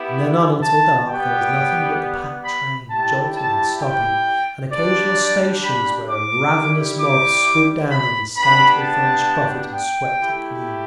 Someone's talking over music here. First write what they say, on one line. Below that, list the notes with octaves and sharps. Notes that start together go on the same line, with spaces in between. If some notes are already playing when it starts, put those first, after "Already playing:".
From then on until dark there was nothing but the packed train, jolting and stopping, and occasional stations where a ravenous mob swooped down on the scantily-furnished buffet and swept it clean....
Already playing: B3 E4 G4
A5
G3 B3 G4 G5
B5
G3 E4 G4 A5
A5
G5
G3 D4 G4 D5
B5
D6
G3 E4 G4
D6
B5
B3 D4 G4 B5
A5
G5
A3 E4 G4